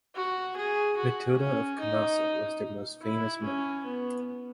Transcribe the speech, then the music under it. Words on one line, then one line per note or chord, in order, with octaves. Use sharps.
Matilda of Canossa was their most famous member.
F#4
G#4
F#4
C#4
D#4
E4
C#4
B3